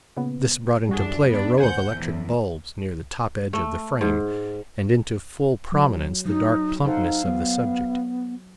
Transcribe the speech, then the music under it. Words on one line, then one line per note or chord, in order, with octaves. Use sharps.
This brought into play a row of electric bulbs near the top edge of the frame and into full prominence the dark plumpness of the subject.
A#2 C#3 B3
F#2 E3 G3 D4 F#4 G#4
B3 D4
D2 C5 F#5 G#5 G6
E2 A2
A3
G#2
F#3
F#3 D#4
D#4 A4 C5 F5 F#5
F#3 B3